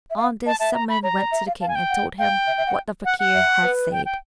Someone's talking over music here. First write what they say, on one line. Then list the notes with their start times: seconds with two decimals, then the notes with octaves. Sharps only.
On this some men went to the king and told him what the fakir had said.
0.10 E5
0.17 F5
0.46 D#5 A5
0.60 E5 A5
0.74 A#5
0.89 B5
1.03 C#5 A#5
1.18 D5
1.32 E5
1.47 F5
1.61 F5 A5
1.68 G#5
1.75 G5
1.90 F#5
2.18 F5 G5
2.47 E5
2.58 E5
2.67 F#5
3.05 F#5
3.19 F#5
3.34 E5
3.62 B4
3.92 G5
4.05 G5